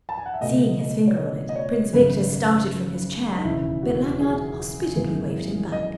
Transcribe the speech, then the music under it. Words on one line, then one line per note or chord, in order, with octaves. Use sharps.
Seeing his finger on it Prince Victor started from his chair, but Lanyard hospitably waved him back.
A5
G#5
F#5
E5
C#2 B2 A3 D#5
D#5
C#5
D#5
D#5
C#5
G#1 F#2 C#3 B4
D#4
E1 D#2 C#3 E4
F#4
G#4
G#1 F#2 E3 G#3 B3
D#5